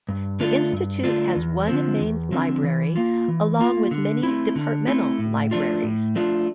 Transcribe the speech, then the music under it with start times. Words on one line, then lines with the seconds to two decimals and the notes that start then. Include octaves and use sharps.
The Institute has one Main Library along with many Departmental Libraries.
0.09 G2
0.40 D3 A3 D4 F4
0.72 G2
1.03 D3 A3 D4 F4
1.36 E2
1.67 D3 F3 C4
2.00 E2
2.32 D3 F3 C4
2.64 E3
2.96 A#3 F4
3.28 E3
3.59 A#3 F4
3.91 D3
4.23 A3 C4 E4
4.56 D3
4.87 A3 C4 E4
5.19 A2
5.51 F3 A3 D4 F4
5.83 A2
6.15 F3 A3 D4 F4